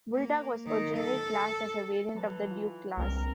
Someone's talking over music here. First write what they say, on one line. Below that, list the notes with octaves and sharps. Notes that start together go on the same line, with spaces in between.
"Bulldog" was originally classed as a variant of the Duke Class.
A#3
D#3
A4
E3 F#3 A5
F4
C2 F3 G3 A#3 C4 D4 A#4